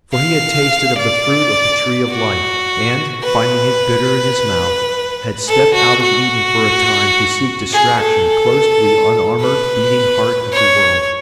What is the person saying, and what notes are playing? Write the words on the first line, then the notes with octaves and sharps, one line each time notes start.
For he had tasted of the fruit of the tree of life, and, finding it bitter in his mouth, had stepped out of Eden for a time to seek distraction close to the unarmoured, beating heart of the world.
F5
D5
F#4
B4
A4
F#4
F#4
G#4
A4
B4
C#5